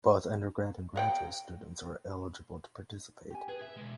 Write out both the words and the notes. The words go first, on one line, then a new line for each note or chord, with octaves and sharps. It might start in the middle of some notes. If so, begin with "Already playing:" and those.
Both undergrad and graduate students are eligible to participate.
A#4 F#5 G5
G4 G#5
G#4 B4
E5
B2 G#3